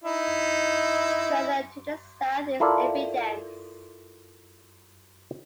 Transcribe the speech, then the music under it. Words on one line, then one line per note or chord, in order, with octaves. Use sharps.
Further to the south is Epigenes.
D#4 E4
E4 F4 A4 A#4 D5